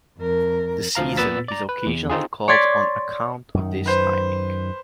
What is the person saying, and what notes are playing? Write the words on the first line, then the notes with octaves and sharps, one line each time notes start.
The season is occasionally called on account of this timing.
F2 A#4
D2 F3 F5 A#5
A#2 B3 B4 E6 A6 B6
D5 A#5
B4
E2
C4 D#4 F4 G#4
C#5 D5 C6 G#6 A6 B6
F#2 D#3
B4 C5